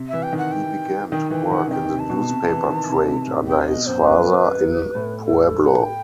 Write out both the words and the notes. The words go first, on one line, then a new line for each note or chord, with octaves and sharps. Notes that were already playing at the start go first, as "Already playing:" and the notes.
He began to work in the newspaper trade under his father in Pueblo.
Already playing: C3
E3 E5
G5
D#3
F#5
G5
D#3 G5
E3 G5
D#3 F#5
C3
D#3 G5
C3
A5
B2
C3
E3
D#3
C3
C3
A2
C3 G5
C5
B2 D#5
F#2 C5
F#2 B4
A2
A4
A4
F#5
G5